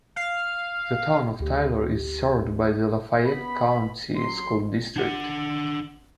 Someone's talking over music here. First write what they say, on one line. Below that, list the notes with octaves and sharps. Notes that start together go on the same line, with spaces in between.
The Town of Taylor is served by the Lafayette County School District.
F5
D2 G4
B3 B5
F#3 C6
D4 F#5